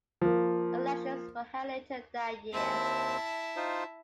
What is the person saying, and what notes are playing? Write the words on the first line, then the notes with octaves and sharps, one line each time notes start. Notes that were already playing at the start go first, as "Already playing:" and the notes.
Elections were held later that year.
F3 A#3
D#2 C4 E4 A5
D#4 F4 C5